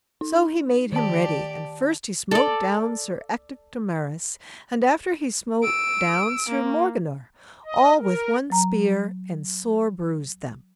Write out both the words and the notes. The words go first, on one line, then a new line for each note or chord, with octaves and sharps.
So he made him ready, and first he smote down Sir Ector de Maris, and after he smote down Sir Morganor, all with one spear, and sore bruised them.
D#4
D#3 G4 D5 A5
A4 D5
E6 D7
A#3
D#5
A#4
F#3 A#5